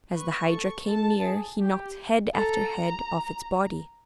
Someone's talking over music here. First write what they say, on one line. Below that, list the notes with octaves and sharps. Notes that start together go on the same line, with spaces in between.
As the Hydra came near he knocked head after head off its body.
B4 C#6
A4
A4 A5
G#4
G4
A4 A#5